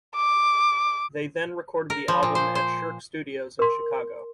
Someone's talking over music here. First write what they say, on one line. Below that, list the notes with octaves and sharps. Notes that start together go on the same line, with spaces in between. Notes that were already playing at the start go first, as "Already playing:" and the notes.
They then recorded the album at Shirk Studios in Chicago.
D6
A#4
F3
A#2
C5
C5
A#4 C6